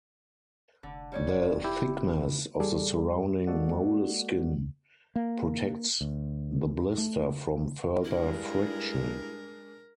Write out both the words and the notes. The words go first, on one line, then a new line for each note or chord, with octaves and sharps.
The thickness of the surrounding moleskin protects the blister from further friction.
F1 D3
G3 C#5 D5
E4 G4
G3 G#4 A4 D5
G#3 A#3 F#4 A4 D5 F#5
A#3
D2
A3
G2 G#3 D4 E4 A#4